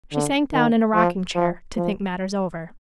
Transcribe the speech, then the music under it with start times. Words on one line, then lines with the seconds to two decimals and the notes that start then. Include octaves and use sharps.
She sank down in a rocking chair, to think matters over.
0.13 D3
0.53 D#3
0.95 F3
1.35 F3
1.76 F3